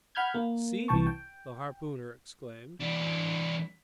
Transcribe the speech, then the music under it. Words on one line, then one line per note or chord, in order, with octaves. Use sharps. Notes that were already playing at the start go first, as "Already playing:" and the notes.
"See!" the harpooner exclaimed.
F#5 B5 F6 G6 G#6
A#3
C2 E3 G5 A5 C#6
G5
E3 D4